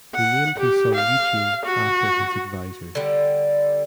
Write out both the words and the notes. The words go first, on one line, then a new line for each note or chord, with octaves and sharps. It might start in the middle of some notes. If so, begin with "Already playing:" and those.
He named his son Eugene after his advisors.
F#5
G4
F5
F#4
D3 G3